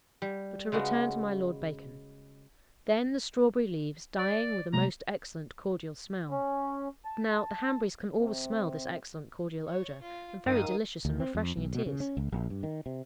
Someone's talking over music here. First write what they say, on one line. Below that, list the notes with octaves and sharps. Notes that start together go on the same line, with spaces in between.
But to return to my Lord Bacon: 'Then the strawberry leaves, dying with a most excellent cordial smell.' Now the Hanburys can always smell this excellent cordial odour, and very delicious and refreshing it is.
G3
C#3 G#3 B3 F#4
D5
C3 G#3 A#3 A#5
C#4
A5
C3
C#5
F4
G2 D#3 F5 D#6
D2
C4
F2
B1
B2
C#3
C#4
C#2
A#1
G2
D#3
C3